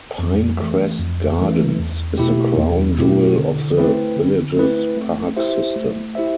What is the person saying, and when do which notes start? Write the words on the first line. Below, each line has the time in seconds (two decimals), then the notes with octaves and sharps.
Pinecrest Gardens is the crown jewel of the village's park system.
0.19 F2
0.59 E3 A3
0.99 F2
1.39 E3 A3
1.79 E2
2.18 B2 A3 E4 G4
2.57 E2
2.98 B2 A3 E4 G4
3.38 D3
3.78 A3 C4 E4 B4
4.16 D3
4.56 A3 C4 E4 B4
4.97 A3
5.37 E4 G4 C5 E5
5.76 A3
6.15 E4 G4 C5 E5